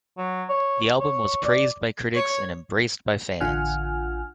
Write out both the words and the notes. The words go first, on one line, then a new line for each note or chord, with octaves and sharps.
The album was praised by critics and embraced by fans.
F#3
C#5
C#5
D5
C#5
A1 D3 F4 F#5 G#5 F6